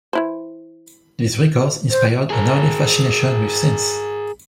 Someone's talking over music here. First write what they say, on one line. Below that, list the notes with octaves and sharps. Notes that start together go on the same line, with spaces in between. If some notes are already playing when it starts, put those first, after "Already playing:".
These records inspired an early fascination with synths.
E3 E4 C5
C5
G#4 A#4